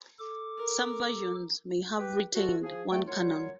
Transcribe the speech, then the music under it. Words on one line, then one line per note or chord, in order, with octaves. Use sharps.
Some versions may have retained one cannon.
A4 D6
A#4
G4 B4
D2 A3 F4 F#4
F3 G#4
E2 A3 G5
F#2 F#3 G3 F4 C#5